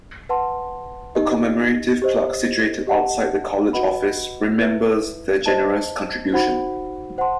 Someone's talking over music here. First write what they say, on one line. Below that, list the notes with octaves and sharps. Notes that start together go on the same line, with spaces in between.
A commemorative plaque situated outside the college office remembers their generous contribution.
B4 F#5 A5 C6
D#4 G4 D#5
G4 C5 D#5
G4 D#5 F#5 A5
F#4 B4 D#5 F#5 B5
E4 B4 E5
C5 D#5 A5
D#4 F#4 C5 F#5 B5
C5 F#5 A5 C6